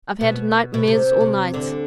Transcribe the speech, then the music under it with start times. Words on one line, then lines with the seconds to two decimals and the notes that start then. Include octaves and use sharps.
"I've had nightmare all night!"
0.21 B2
0.74 B2
0.87 C3
1.21 C3
1.54 D2 D3